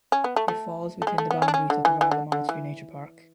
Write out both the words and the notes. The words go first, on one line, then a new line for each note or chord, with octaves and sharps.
It falls within the boundaries of the Rila Monastery Nature Park.
C#4
B3
A3
A3
A3
G#3
A3
B3
C#4
D4
C#4
D3
E3
E3
D3
D3
E3